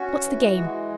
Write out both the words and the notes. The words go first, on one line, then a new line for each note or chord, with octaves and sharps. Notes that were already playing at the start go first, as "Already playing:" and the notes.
What's the game?
Already playing: C#4 F#4
E3
G#3